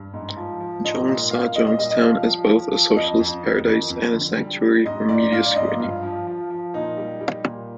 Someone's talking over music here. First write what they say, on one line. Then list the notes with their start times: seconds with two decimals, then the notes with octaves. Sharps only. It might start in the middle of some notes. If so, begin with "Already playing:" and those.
Jones saw Jonestown as both a "socialist paradise" and a "sanctuary" from media scrutiny.
Already playing: G2
0.14 G#2
0.37 F3
0.60 F3
0.84 G#2 D#5
1.08 A#2 D#5
1.31 A#2 F5
1.54 A#2 D#5
1.67 D#5
1.78 G3 D#5
1.91 D#5
2.02 F3 F5
2.26 F3
2.49 F3
2.72 F3
2.97 F2 D#5
3.20 F2
3.43 D#3
3.67 F2
3.90 F2
4.14 D3
4.38 G3
4.62 G3
4.86 G#2 D#5
5.09 G#2 D5
5.32 G#2 F5
5.46 D5
5.56 G#2 D#5
5.79 G2 F4
6.03 F3
6.27 F3
6.50 F3
6.74 A#2 D#4
6.97 G3
7.21 G3
7.44 A#2